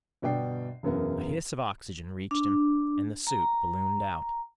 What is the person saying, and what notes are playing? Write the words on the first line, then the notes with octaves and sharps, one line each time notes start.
A hiss of oxygen reached him and the suit ballooned out.
G1 B2 D5 G5 C7
E1 F#2 B3 A#4
D4
A#5